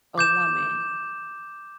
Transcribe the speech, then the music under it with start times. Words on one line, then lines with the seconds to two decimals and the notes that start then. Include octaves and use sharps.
a woman
0.18 D6 G6 E7